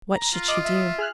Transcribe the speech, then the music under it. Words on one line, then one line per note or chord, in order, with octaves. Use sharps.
What should she do?
A#5
F4
D#5 D6
E5
G#4 F6 F#6